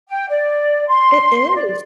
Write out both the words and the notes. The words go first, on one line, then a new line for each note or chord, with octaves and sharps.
It is.
G5
D5
C6
D5